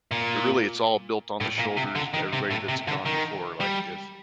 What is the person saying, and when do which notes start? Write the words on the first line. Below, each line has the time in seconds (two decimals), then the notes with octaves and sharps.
but, really, it's all built on the shoulders of everybody that's gone before, like if
0.11 A#2
1.40 A2
1.59 A#2
1.77 C3
1.95 D3
2.14 D#3
2.33 C3
2.51 A2
2.68 C3
2.88 D3
3.06 D#3
3.61 G3